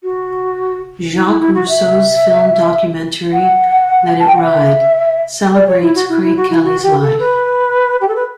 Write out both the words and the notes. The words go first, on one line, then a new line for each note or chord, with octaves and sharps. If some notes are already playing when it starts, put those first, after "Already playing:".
Jacques Russo's film documentary, "Let It Ride", celebrates Craig Kelly's life.
F#4
E4
E4
E4
F#4
E5
F#5
A5
G5
F#5
E5
D5
C#5
E4
F#4
E4
E4
F#4
E4
F#4
G4
A4
B4
G4
A4
B4